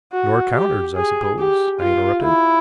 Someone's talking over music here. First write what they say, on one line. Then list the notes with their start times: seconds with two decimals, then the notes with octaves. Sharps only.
"Nor counters, I suppose," I interrupted.
0.12 F#4
0.55 G4
0.95 G#4
1.39 G4
1.80 F4
2.23 E4